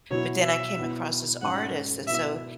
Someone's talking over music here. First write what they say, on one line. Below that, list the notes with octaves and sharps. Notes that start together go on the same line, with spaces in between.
But then I came across this artist, and so
B2 F#3 E4 C#5
E5
B2 B3 E4
G#2 F#3 C#4 F#5
B2 B3 E4 E5